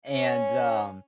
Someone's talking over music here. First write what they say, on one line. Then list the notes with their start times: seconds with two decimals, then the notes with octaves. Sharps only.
And, um,
0.11 C#4